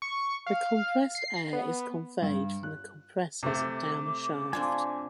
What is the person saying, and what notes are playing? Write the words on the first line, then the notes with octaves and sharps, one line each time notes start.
The compressed air is conveyed from the compressors down the shaft.
C#6
F5
C7
B3
G2
F#6
C3 A3 D6
C4 D4 F4 G#5